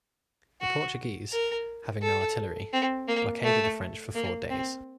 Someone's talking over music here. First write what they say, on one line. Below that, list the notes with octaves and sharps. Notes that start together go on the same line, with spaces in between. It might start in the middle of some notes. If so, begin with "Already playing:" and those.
The Portuguese, having no artillery, blockaded the French for four days.
F#4
A#4
A4
C4
A#3
A3
A#3
C4